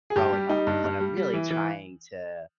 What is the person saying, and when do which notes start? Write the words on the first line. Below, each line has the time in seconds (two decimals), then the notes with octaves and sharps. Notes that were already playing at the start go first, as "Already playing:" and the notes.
growing up, but I'm really trying to
0.10 G#4
0.16 G2 G4
0.33 G3
0.49 G3 D#4
0.67 G2
0.84 G2
1.00 G3
1.17 G3
1.33 E3
1.51 E3